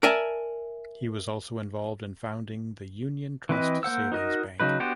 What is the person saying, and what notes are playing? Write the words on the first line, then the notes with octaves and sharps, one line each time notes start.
He was also involved in founding the Union Trust Savings Bank.
A#4 D5 E5 G#5 A5
E3 C4 B4 D#5
A#3 C5 F#5 E6
D#4 F#4 A#4 D#5
C#3 F#3 D#4 B4
B3 D4 F#4 G4 C5